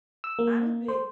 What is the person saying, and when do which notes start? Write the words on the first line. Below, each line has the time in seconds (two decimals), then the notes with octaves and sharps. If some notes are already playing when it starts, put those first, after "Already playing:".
I'm a big
0.24 E6
0.39 A#3
0.88 C5